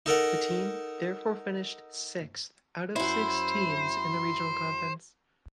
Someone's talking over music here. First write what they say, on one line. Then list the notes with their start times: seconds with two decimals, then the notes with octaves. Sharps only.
The team therefore finished sixth out of six teams in the regional conference.
0.06 D#4 A4 A#4 F#5
2.96 F#2 E4 C5